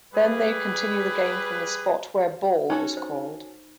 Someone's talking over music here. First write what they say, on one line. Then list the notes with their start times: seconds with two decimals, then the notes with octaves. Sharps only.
Then they continue the game from the spot where "ball" was called.
0.14 G3 G#4 B4
2.70 C#4 D#4 F#4 A4
2.97 C5